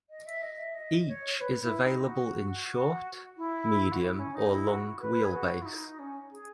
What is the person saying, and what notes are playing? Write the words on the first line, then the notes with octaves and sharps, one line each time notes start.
Each is available in short, medium or long wheelbase.
D#5
E5
D#5
E5
D#5
C#5
B4
E4
D#4
F#4
F#4
E4
F#4
E4
C#4
D#4
E4
F#4
B4
G#4
F#4
E4
D#4
C#4
G#4